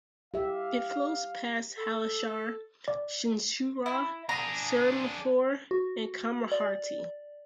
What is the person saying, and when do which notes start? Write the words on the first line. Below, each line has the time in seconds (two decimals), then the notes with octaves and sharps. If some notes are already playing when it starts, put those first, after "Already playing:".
It flows past Halisahar, Chinsurah, Serampore, and Kamarhati.
0.34 G4 E5 F5
1.78 A4
2.88 D5
3.86 E4
4.29 D4 G#4 A#5
5.71 F#4
6.52 D5